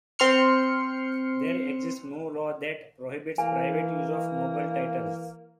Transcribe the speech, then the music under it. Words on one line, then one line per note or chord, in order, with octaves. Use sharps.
There exists no law that prohibits private use of noble titles.
C4 C6 F6 C#7
E3 A#3 G#5